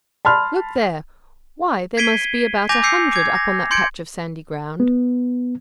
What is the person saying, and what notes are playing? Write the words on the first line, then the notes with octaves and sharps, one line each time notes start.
Look there; why, there must be about a hundred up on that patch of sandy ground.
A5 B5 C6 F6
G#6 B6 C7 D7 D#7 G7
G#5 D6 G6 A#6 F7
D6 E6 G6 C7 C#7
D6 G#6
A#6
C6 G6 G#6 C#7 D7
B3